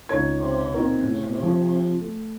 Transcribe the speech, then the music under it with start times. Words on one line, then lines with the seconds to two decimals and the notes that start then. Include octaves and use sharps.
um, and then another one
0.09 C#2 D#4 C#5 G#6
0.74 C4 D#4 A#4
1.03 A2
1.40 C3 F3
2.01 A3